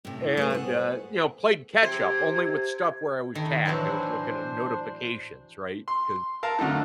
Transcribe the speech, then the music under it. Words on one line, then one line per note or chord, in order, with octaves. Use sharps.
and, uh, you know, played catch-up only with stuff where I was tagged, I was looking at notifications, right? 'Cause
A2 C3
E4
A3 G#4 B4
B3 G#4 F#5
C5
C3 G4 C5 G#6
D#3 D#4 E4 A4
A2 E3 F#3 D4 C5
C6
A#4 F5 A5
D3 F#3 A3 D#4